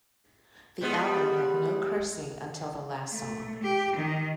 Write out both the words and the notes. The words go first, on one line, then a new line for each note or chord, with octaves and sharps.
The album had no cursing until the last song.
G3 G#3 B3
A3
G4
D#3